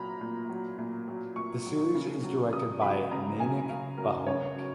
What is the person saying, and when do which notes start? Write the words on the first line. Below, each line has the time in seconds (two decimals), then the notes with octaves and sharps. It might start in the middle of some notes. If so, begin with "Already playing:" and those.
The series is directed by Mainak Bhaumik.
Already playing: A#2 F#3 A#5 B5
0.21 A#2
0.49 F#3
0.78 A#2
1.08 F#3
1.36 A#2 C#6
1.66 F#3
1.95 C#3
2.24 F#3
2.53 C#3 D#6
2.82 F#3 B5
3.11 C#3 A#5
3.39 F#3 G#5
3.69 C#3 F5
3.98 F#3 A#4
4.27 C#3 C#5
4.56 F#3